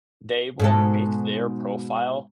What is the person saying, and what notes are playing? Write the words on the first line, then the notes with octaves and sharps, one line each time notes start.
they will make their profile
G#2 B2 A4